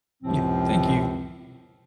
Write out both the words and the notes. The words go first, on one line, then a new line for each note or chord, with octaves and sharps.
Yeah, thank you.
C#2 F#2 A2 C3 F3 C4